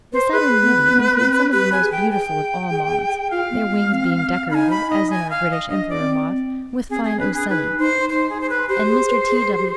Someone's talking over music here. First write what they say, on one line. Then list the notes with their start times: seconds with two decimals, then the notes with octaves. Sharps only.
The Saturniidae include some of the most beautiful of all moths, their wings being decorated, as in our British Emperor moth, with fine ocelli; and Mr. T.W.
0.13 B4 C5
0.32 G#4 B4
0.62 B3
0.88 C4
0.92 B3
1.22 C4
1.52 G4 B4
1.72 G#5
1.82 G#4
1.92 G5
2.11 G#4 G5
2.71 G#4
2.91 G#4
3.11 G#4
3.31 F4 F5
3.51 B3
3.71 G#3
3.91 C4
4.50 D#4 B5
4.54 G#5
4.70 B5
4.90 D#5
5.10 G#5
5.30 F5
5.51 D#5
5.70 D4 D#5
5.89 D5
6.00 C4
6.90 C4 G#4
7.04 G#4
7.19 D4 B4
7.34 G#4
7.49 D#4 B4
7.79 D#4 C5
8.09 D#4 C5
8.29 G#4
8.41 C5
8.50 B4
8.68 G4 C5
8.85 G4
8.89 G#4
9.09 B4
9.29 G#4
9.58 G4